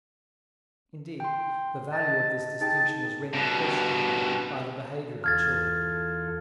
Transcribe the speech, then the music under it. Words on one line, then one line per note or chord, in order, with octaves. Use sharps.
Indeed, the value of this distinction is rendered questionable by the behavior of children.
G5 C6
D#5 A5
D#4 G#4 G5 A5
G2 B2
E2 F4 A4 F6 G#6 A6